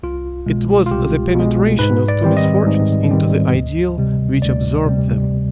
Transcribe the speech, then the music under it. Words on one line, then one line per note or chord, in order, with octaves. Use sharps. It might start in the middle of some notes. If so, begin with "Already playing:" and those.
It was the penetration of two misfortunes into the ideal which absorbed them.
C2 F4
B2 G#3
F4
C2 G4
B2 G#3
G#2 B4
D5
D#3 G3 C4
D#5
G#2
D#3 G3 C4
D2
C3 G3
D2 D5
C3 G3